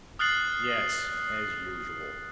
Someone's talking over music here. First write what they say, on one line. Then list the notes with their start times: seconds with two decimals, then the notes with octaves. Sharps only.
"Yes--as usual!"
0.19 D#6 F6 F#6 A6 C7 F#7